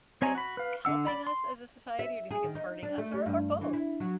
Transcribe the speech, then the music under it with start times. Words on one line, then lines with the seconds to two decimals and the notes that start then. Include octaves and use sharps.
is helping us as a society or do you think it's hurting us, or or both?
0.22 C4 C#5 D#5 G#5 A#5
0.35 F#4 B5
0.57 B4 F5
0.85 D3 D4 F#5 E6
1.07 D5 B5
1.27 C6
1.99 E5
2.31 G#4
2.44 D#3
2.55 D#4
2.83 D4
2.98 A3
3.14 G3
3.26 G2
3.61 E3
3.73 E4
4.00 F#3